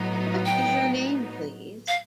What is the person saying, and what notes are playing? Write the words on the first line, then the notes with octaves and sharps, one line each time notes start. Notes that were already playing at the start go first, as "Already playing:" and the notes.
What is your name, please?
Already playing: A2 F#3 B3 D#4
G5
F5